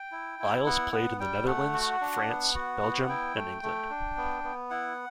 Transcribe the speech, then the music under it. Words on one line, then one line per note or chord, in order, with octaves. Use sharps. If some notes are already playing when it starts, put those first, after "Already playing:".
Aisles played in the Netherlands, France, Belgium and England.
Already playing: G5
E4
E4
B3 F#5
B3 F#5
G3 G5
A3 F#5
F#4
D4
B3
F#4
B3
F#5
E4 G5
A3
A3
D4
B3
B3
E4 F#5